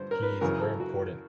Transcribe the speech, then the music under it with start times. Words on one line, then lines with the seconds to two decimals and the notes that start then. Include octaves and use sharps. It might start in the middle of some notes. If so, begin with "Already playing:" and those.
he's a very important
Already playing: G2 D3 C5
0.11 A#4
0.23 B4
0.41 F#2 C#3 E3 A#4
0.61 A4
0.80 F#4